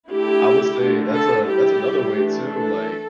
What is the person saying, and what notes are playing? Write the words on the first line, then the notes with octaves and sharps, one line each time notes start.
I would say that's a that's another way too, like
D3 A3 E4 G4
D3 A3 D4
A4
G3 E4 G4
E3 A3 D4
A4